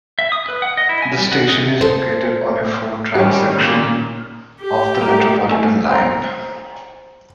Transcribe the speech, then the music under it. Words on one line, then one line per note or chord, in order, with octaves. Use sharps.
The station is located on a four-track section of the Metropolitan line.
E5
D#6
B4
F#5
D#5
E4
G#5
G3
F#4
D#5
A4 C5
D#3 G3 G#3 C#4 G4
A#2
G4
G3 A3 A#4
A3 G#5
C5 A#5